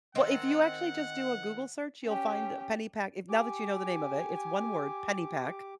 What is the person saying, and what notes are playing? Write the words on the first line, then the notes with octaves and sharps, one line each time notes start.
well, if you actually just do a Google search, you'll find Pennypack, if now that you know the name of it, it's one word, Pennypack.
D#3 C4 F#5
C#4 G4
G4 G#5 D6